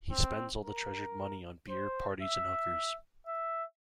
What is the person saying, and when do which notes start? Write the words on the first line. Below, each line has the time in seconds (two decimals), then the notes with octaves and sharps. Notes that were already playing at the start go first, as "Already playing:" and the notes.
He spends all the treasured money on beer, parties and hookers.
0.11 C4
0.64 A#4
1.69 C5
2.22 E5
3.27 E5